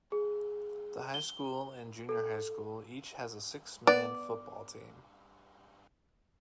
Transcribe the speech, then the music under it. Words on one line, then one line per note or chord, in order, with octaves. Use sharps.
The high school and junior high school each has a six-man football team.
G#4
G7
A4
B3 D5